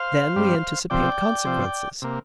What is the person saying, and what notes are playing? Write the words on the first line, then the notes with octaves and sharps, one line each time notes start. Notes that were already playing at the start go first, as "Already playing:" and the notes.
Then we anticipate consequences.
Already playing: C5 F5
G2 G3 C4
C3 F3 C4 D5 G5
C3 F3 C4
C3 A#3